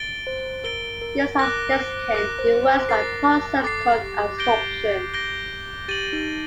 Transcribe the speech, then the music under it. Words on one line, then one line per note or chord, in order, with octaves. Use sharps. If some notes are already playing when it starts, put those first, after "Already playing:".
Used as a desiccant, it works by a process called "adsorption".
Already playing: A6 D7 G7
C5
A#4 A6 D7 G7
A#4
A#4 D6 F#6 A#6
C5
A#4 D6 F#6 A#6
C5
C5
A#4 D6 A6 C7
A4 D6 A6 C7
G4
G6 A#6 D7 G7
G6 A#6 D7 G7
G4 A6 D#7 F#7
D#4